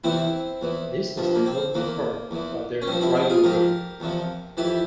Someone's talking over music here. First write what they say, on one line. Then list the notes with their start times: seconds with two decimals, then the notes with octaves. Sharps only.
This is the nobler part of their ribaldry.
0.04 E2 C3 E3 C4 E4
0.61 E2 E3
1.17 G2 F3
1.35 A#3
1.46 C4
1.74 E2 E3 A#3
2.31 E2 E3
2.82 C#4
2.87 G2 F3 C4
3.01 C4 E4
3.15 C4
3.30 F4 G#4
3.44 G#2 F3 G4 A#4
4.00 E2 C3 F3
4.57 F2 E3 E4 G4